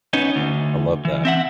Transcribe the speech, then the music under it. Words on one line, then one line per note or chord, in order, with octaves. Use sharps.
I love that.
B3 C#4 D#4
D2
E3
C4 E5 F#5